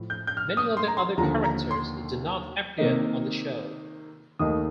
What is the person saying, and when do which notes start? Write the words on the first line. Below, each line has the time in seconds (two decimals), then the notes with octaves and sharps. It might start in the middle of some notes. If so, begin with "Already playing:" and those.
Many of the other characters do not appear on the show.
Already playing: A2 F3
0.10 G6
0.27 G6
0.37 F6
0.57 D#6
0.77 C6
0.88 A#5
0.97 C6
1.17 D#2 D3 F3 A#5
1.44 A#5
1.71 C6
2.78 C3 D#3 A#3 D#4
4.39 D#2 D#3 A3 D#4 D#6